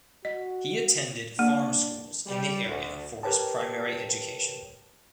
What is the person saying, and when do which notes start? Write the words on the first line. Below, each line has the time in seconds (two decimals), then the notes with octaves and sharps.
He attended farm schools in the area for his primary education.
0.25 F#4 D#5
1.39 A#3 D4
2.27 G3
2.66 D2
3.23 G4 A#4 B4 C#5 G5 A5